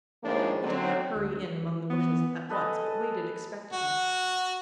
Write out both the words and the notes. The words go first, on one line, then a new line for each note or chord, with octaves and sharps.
He did not hurry in among the bushes at once but waited expectantly.
D#2 A2 F3 G#3 A#3 D4
D3 F#3 C4
D2
E3
B3
A4 B4 D#5 G#5
F#4